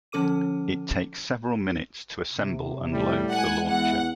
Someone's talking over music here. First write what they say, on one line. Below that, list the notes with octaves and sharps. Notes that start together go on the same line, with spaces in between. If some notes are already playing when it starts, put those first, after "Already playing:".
It takes several minutes to assemble and load the launcher.
D3 F3 C#4 A4 D6 D#7
C3
A2 G3
G#3 F#5 G#5
E2 E3 F#5